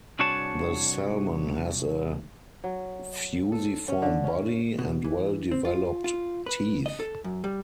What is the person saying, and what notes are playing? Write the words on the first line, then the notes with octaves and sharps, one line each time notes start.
The salmon has a fusiform body, and well-developed teeth.
C2 D4 F#4 G#4 C#5 A5
F#3
A4
C#4
D3
C#4
B2
E3
C4
F4
F4
B4
D#5
A4
F#2
G3